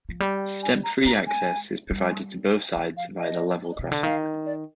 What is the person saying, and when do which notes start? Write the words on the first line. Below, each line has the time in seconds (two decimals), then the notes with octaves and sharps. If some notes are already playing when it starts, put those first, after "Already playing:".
Step-free access is provided to both sides via the level crossing.
0.09 F3
0.20 G3 G5
0.63 G#5
0.84 A#5
1.05 G#3 A#5
1.27 G#5
1.91 G3
2.75 F3 G5
2.97 F5
3.18 D#5
3.79 C3
3.92 D3
4.03 D#3 F5
4.46 D5